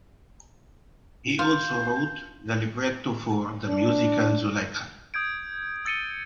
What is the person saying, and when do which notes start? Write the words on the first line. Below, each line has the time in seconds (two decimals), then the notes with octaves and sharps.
He also wrote the libretto for the musical "Zuleika".
1.39 F4 G6
3.68 D4
5.14 D#6 G6 G#6 D7
5.85 E6 A6 C#7 D#7 G7